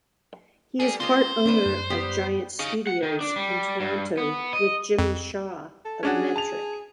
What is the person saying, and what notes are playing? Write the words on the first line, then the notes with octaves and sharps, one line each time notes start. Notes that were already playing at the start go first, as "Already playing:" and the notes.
He is part owner of Giant Studios in Toronto with Jimmy Shaw of Metric.
G3 A#3 G#4 A4
G#3 A#3 F4 C5
D3 C4 D4 B4
F#2
G3 B3 G4
D#4 G#4 C#5 F5
F#5
D#3
D4
G3
G2
B3
D#5
F2
A4
C#4 D4 F#4 G#4
A5 F7